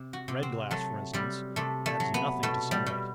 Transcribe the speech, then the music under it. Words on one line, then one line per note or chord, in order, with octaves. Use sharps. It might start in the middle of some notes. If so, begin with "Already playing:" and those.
Red glass for instance adds nothing to sunlight.
Already playing: C3
F#4
C3
C4
F#3 A3
C3 G3
C3 A3
A3
F#3
B3
B2 A3
G3
B2